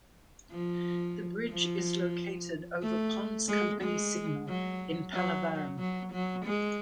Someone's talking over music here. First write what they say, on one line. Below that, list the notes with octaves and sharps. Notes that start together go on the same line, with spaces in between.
The Bridge is located over Ponds Company Signal in Pallavaram.
F3
F3
A3
G#3
G#3
F#3
F#3
F#3
F#3
G#3